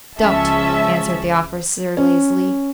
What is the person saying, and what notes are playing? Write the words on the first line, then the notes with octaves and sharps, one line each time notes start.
"Don't," answered the officer lazily.
C#2 F3 G#3 C#4 E5 A5
C#4